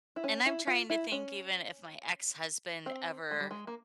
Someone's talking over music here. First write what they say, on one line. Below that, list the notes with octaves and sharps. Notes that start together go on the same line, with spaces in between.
And I'm trying to think even if my ex-husband ever
E4
C#4
E4
F4
E4
C#4
C4
G#3
G3
G#3
A#3